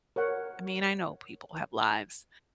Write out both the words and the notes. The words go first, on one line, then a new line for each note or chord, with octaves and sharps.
I mean, I know people have lives,
A#4 C#5 F#5